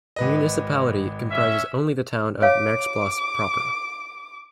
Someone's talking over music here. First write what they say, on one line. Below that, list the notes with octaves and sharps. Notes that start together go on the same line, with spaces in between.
The municipality comprises only the town of Merksplas proper.
G#1 B4 D#5
C#4 E5
C#5 F5 D6